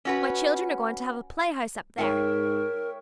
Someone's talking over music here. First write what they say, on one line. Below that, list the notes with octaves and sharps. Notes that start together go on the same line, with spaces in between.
My children are going to have a play-house up there.
C#4 F#4 B4
G#2 A#4 C#5 E5 G5